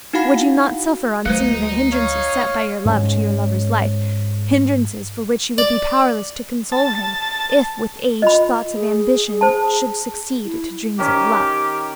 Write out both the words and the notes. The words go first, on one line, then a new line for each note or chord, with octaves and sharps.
Would you not-suffer on seeing the hindrances set by your love to your lover's life, hindrances for which you would be powerless to console him, if, with age, thoughts of ambition should succeed to dreams of love?
D#4 E4 F#4 F5 F#5 B5
D2 F#3 A3 D#4 B4 C5
C#5 F5
G#2 G#3 C#4
D5
A5
F4 D#5 B5
G#4
C5 A5
E4
D#3 C#4 G4